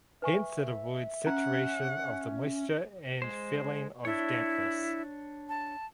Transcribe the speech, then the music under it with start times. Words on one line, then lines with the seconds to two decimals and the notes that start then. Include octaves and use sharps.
Hence it avoids saturation of the moisture and feeling of dampness.
0.22 B4 E5 G#5 C#6
1.27 C#4 F#5 A#5
3.22 G#3 C5
4.05 D4 E4 C#5
5.49 A5